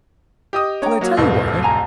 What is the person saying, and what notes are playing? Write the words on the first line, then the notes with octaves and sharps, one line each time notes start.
Shall I tell you why?
G4 D#5 D#6
D4 C#5 G5 A#5
F#3 A#3 F#4 C#5
D1 C2 F2 F#4 B4
G#5 A#5